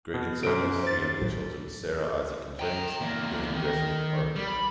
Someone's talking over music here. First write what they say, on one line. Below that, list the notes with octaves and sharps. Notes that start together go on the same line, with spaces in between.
Gregg and Sono's three younger children Sarah, Isaac, and James live in Gresham, Oregon.
B2
F#2 D3 D7
B3
C5 A6
G#1 A2 F#3
G5 A#5
E2 A#3
D#3
G3
B5